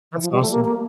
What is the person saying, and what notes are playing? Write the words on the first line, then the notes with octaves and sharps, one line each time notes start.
That's awesome.
E3
F3
G3
A3
A#3
A#3